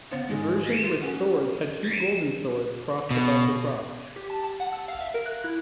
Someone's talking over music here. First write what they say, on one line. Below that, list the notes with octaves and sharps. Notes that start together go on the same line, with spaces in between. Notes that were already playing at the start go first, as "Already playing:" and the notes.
The version with Swords had two golden swords crossed above the cross.
C#3 B3 C5 A6
G#2 D#3 G#3 G#4
F4
C#4 F#4 G#4 F#5
B2
G4
A5
A5
F#5
E6
F5
E5
A#4
F#6
E4